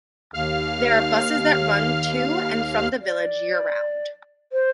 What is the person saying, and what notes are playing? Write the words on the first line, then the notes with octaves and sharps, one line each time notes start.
There are buses that run to and from the village year-round.
D#2 F5 F6
D5
C5